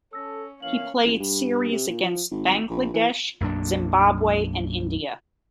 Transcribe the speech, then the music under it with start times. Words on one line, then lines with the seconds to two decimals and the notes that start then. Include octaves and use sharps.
He played series against Bangladesh, Zimbabwe and India.
0.13 C#4 A4 E6 A#6
0.62 E3 A#3 C#4 F5 F#7
1.05 A1
1.19 G2
1.72 C3
1.88 A#2
2.03 F3
2.31 G#1
2.70 A#1
2.94 E3
3.40 B1 F#2 A#3 D4